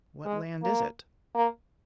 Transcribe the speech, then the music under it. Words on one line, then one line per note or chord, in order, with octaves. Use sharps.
"What land is it?"
G#3
A#3
A#3